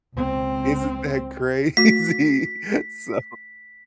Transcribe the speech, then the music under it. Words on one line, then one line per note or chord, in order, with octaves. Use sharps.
isn't that crazy? So,
C#2 C4
A3 F#4 B6